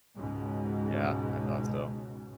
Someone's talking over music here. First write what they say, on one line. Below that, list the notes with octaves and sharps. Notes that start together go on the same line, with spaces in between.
Yeah. I thought so.
C#2 G#2 B2